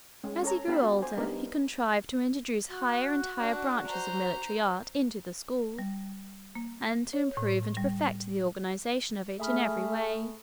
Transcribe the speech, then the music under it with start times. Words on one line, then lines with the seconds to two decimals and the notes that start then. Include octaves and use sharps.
As he grew older he contrived to introduce higher and higher branches of military art into the school, and to improve and perfect the organization of it in every way.
0.24 G#3 C#4
0.43 C#4 A4 C#5 A#5
0.68 B3 D4 G4 F5 A5 B5
0.83 F#4
1.02 C5 G#5
1.17 G3 B3 D4 D#4 A#4 B4
2.69 F#4
3.39 D4
3.86 C5 A#5
5.79 G3
6.55 A#3
7.13 C#5
7.37 A2
7.77 G3
9.40 A3 G#4 E5 B5 F6